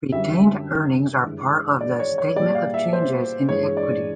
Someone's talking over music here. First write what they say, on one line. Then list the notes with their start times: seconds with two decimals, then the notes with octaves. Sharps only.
Retained Earnings are part of the "Statement of Changes in Equity".
0.12 F#2 D3 G3 E5
1.24 G2 E3 G#3
1.81 D5
1.99 C#5
2.18 C#5
2.36 A#2 G3 D5
2.55 F5
2.74 E5
2.93 C5
3.48 G2 E3 G#3 C#5
3.77 D5